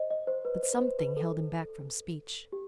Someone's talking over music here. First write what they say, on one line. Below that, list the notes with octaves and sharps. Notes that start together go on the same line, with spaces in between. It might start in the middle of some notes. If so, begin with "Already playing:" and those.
But something held him back from speech.
Already playing: C5 D#5
D#5
C5
B4
C5
B4
C5
B4
A4
G4